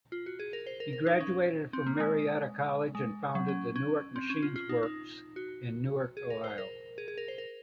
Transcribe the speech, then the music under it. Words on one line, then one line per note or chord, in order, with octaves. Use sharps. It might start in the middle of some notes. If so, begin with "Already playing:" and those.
He graduated from Marietta College, and founded the Newark Machine Works in Newark, Ohio.
F4
F#4
G#4
A#4
C5
A#4
A#4
D#4
C#4
C4
A#3
G#3
G#3
F#3
C#4
C#4
C4
C#4
F4
F4
D#4
D#4
F#4
G#4
A#4
C5
A#4
G#4
G#4
A#4
C5
A#4